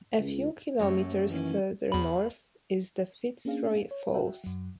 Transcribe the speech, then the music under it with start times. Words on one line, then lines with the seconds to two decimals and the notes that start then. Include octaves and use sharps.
A few kilometers further north is the Fitzroy Falls.
0.19 C#2
0.79 F#2 A3 A#3 C#5
1.29 D#3 E3 A#3 C#4
1.92 E2 B5
3.45 A#3 C#4 D4 G#4 F5
3.91 C#5
4.14 F#4 E5 F#5 G5
4.44 F#2 F#3